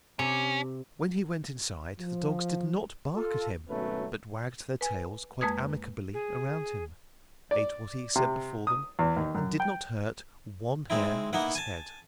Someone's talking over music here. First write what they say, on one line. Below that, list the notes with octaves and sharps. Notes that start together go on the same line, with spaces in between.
When he went inside, the dogs did not bark at him, but wagged their tails quite amicably around him, ate what he set before them, and did not hurt one hair of his head.
C3 C#4
F3
F4 A4
G#1 B2 F#3 A3 C#4 B4
B4 G#5
F2 G#3 A#3 B4 D#6 G#6
G#4
D5
C3
D#6
E2
D#2
F#2
G5
G#3 C4 D#4 E4
A#3 B3 D#4 E4 F#5
G#5 A5